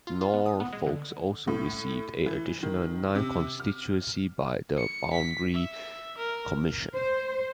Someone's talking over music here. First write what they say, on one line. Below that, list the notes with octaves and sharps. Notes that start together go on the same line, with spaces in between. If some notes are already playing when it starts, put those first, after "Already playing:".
Norfolk also received an additional, ninth constituency, by the Boundary Commission.
F4
F4
B3
D#6
B3
G#3
D3
A2
E3
D#3
C3
F6
C#7
B6
E5
A#4
C5